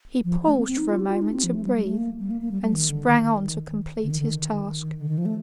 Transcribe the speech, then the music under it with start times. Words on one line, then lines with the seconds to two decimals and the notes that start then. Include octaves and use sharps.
He paused for a moment to breathe, and sprang on to complete his task.
0.24 F3
0.46 A3
0.56 C4
0.68 C4
0.78 D#4
0.89 F4
1.00 G4
1.11 F4
1.22 D#4
1.33 C4
1.44 F3
1.54 A3
1.64 G3
1.76 G3
1.86 A3
1.97 A#3
2.19 G3
2.31 A#3
2.41 A#3
2.51 G3
2.62 G3
2.73 D#3
2.89 D3
3.06 D#3
4.04 D3
4.11 D#3
4.20 D3
4.28 D#3
5.01 D3
5.09 D#3
5.18 F3
5.26 A3